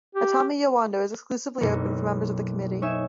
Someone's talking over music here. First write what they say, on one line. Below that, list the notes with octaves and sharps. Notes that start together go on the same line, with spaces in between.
Atami Yowado is exclusively opened for members of the committee.
G4
F#1 B1 C#7
D#4 C#5 E5 G#5 E7